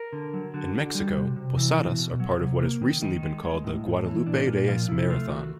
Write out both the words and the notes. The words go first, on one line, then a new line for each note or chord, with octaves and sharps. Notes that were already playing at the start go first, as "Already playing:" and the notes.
In Mexico, posadas are part of what has recently been called The Guadalupe-Reyes Marathon.
Already playing: A#4
D3
F#3
D3 F#4
D3
G3
C3
C3
E3
B2
B2
F#3
C3
A#3
D#3
D#3 D#4
G#3
G#3
A2
A2
E3
A#2 D4
A#2 F4
F3 F4
C3 E4
A3 F4
D#3 F#4